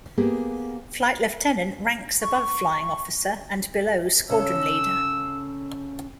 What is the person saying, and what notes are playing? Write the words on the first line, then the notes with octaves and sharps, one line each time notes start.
Flight lieutenant ranks above flying officer and below squadron leader.
A#3 B3 G4 G#4
C#6
C#3 C#4 A4 E6